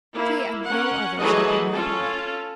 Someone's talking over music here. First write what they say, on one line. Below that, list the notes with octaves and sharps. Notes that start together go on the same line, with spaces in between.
She, and no other, shall be my bride.'
A#3 E4
C#4 A#4 F#5
E3 F#3 A3 G#4 B4 D#5
C#4 F4 A4